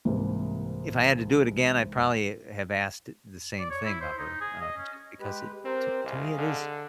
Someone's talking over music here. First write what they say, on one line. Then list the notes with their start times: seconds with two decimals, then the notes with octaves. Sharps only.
if I had to do it again, I'd probably have asked the same thing of her, uh, just because it t to me, it is
0.05 C2 G#2 E3 G3 A#3
3.59 D5
3.70 C#5
3.84 E4
4.01 C5
4.18 D#4
4.41 G#4
4.61 D#5
4.77 C#4
5.20 G#3 G4 B4
5.65 C4 G4 A#4 C5
6.05 C2 G#4 D#5 F5
6.38 D3